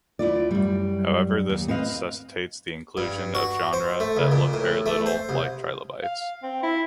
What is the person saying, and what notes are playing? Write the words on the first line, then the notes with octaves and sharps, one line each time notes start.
However this necessitates the inclusion of genera that look very little like trilobites.
D2 E4 F4 D5
F#2 G3
D#2
C4 B4 D#5 F5
G2
F#4
C5
A3
C#2
A#2
A2
A3
C5
C2
F5
C4
E4